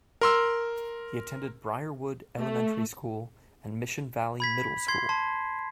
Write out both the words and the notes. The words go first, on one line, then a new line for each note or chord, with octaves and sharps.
He attended Briarwood Elementary School and Mission Valley Middle School.
A#4 C6 E6
A3
B5 G#6 B6
C6 G#6 C7
A5 C6